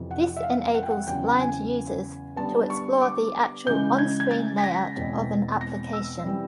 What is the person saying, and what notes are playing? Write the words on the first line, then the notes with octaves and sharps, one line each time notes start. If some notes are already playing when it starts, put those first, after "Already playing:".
This enables blind users to explore the actual on-screen layout of an application.
Already playing: F2 C3 E3
F#5
E5
F5
F#5
G5
F#5
E2 C#3 F#3 G5
G#5
D3 G3 B3 A5
C#6
D6
C#3 E3 G#3 C#4 G6
G#6
G#6
A6
B6
A#6
E2 B2 G#3 C4
A#6
E6
E3 G3 C4